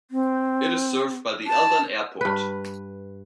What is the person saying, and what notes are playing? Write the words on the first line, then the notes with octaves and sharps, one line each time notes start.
It is served by the Aldan Airport.
C4
A5
G2 B4